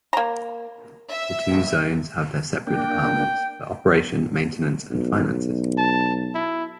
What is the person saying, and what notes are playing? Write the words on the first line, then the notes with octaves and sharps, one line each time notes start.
The two zones have their separate departments for operation, maintenance, and finances.
A#3 A#5
E5
A#3 D4 G5
B1
A5
E4